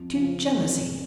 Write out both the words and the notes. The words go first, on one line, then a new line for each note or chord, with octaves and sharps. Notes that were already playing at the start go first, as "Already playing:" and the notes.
"To jealousy?"
Already playing: F2
C#3 F3
F2